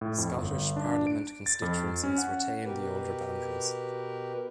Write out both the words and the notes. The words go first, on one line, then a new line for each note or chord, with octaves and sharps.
Scottish Parliament constituencies retain the older boundaries.
A2
F2
G1
D4
D7
A6
F2
C#4
F#5
B2 G4 A#4 B4